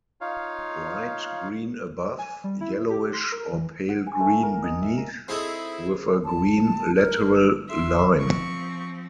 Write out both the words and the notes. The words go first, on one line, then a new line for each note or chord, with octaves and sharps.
Bright green above; yellowish or pale green beneath, with a green lateral line.
D#4 F4 C#5 F5
G#5
G3
E4
A3
G4
C6
A#4
E3
F#5
G#5
A3
A#4
D#5
E5
A#4
C4 D#4 E4 G#4 A4 C5
A5
A#4
E5 C6
F3 C4 C#6